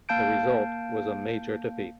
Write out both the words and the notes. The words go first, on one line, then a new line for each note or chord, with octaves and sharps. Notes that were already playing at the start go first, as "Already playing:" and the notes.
The result was a major defeat.
A#3 F5 A5 G6 D7